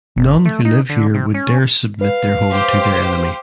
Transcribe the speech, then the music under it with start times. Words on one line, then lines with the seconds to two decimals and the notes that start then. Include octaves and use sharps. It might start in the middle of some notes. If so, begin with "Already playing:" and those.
None who live here would dare submit their home to their enemy.
0.17 F#1
0.45 A3
0.65 D#4
0.89 D3
1.14 C3
1.34 C#4
2.01 B4 F5
2.52 G4 C5